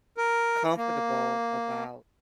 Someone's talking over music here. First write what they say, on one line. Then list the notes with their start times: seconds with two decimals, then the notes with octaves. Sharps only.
comfortable about,
0.18 A#4
0.77 A#3